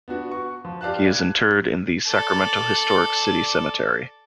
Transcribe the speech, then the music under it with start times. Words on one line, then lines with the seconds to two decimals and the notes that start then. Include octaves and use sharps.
He is interred in the Sacramento Historic City Cemetery.
0.08 B3 D4 F#4
0.29 F#4 C#6
0.65 F3
0.81 G4 D5 F5 A5 F#6
1.11 F#6 G#6
2.08 A4 D5